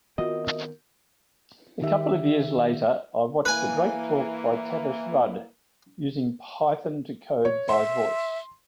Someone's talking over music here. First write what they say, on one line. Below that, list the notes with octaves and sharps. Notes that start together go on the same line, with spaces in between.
A couple years later I watched a great talk by Tavis Rudd, Using Python to Code by Voice.
D#3 B3 C4 F4 F#4 A#4 D#5 E5
D#3 G4 E5
E3 A#3 B4 G#5
C#5
E5 C6